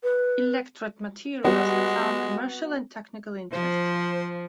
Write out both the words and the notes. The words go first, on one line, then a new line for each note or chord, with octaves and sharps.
Electret materials have found commercial and technical interest.
B4
G3 G#3 B3 F#4
F3 C5